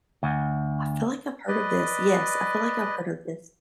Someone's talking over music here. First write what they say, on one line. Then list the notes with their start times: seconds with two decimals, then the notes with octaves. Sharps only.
I feel like I've heard of this. Yes, I feel like I've heard of this.
0.23 D2
1.48 B4 D5 D#5